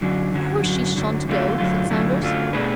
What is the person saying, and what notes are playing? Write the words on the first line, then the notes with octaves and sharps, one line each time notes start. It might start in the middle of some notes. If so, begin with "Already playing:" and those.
"Of course she shan't go," said Saunders.
F#2 D3 F#3
F#2 D3 F#3
F#2 D3 F#3
F#2 D3 F#3
F#2 D3 F#3 A3 F4
F#2 D3 F#3 A3 F4
F#2 D3 F#3 A3 F4
F#2 D3 F#3 A3 F4
B2 A3 D4 G#4 B4